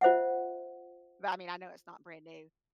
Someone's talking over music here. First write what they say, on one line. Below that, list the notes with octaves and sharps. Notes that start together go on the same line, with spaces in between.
but I mean, I know it's not brand-new.
F4 C5 E5 F#5